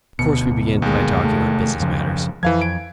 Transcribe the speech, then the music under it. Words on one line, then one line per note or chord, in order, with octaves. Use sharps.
Of course, we began by talking on business matters.
D2 B2 C#7
D#2 G#3
C3 A3
F#2 C#3 F3
F2 E3 F3 F5 G#6
D7